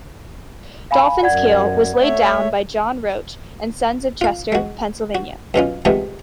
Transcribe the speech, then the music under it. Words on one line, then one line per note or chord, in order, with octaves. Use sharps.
"Dolphin"s keel was laid down by John Roach and Sons of Chester, Pennsylvania.
F5 G#5 B5
F#2 D5 F#5 G#6
A3 C#5 E5
F4 F5
G#3 F#4
F#4
F#2 B2 C#4 F4
C3 F3 G#3 A3 B3